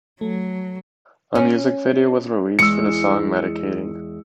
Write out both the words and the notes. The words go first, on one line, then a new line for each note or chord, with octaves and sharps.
A music video was released for the song "Medicating".
F#3 A3
C#4
E2 G#3 E6 C#7